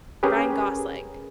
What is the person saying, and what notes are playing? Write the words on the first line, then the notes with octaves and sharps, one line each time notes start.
Ryan Gosling.
C#4 G4 G#4 A#4 B4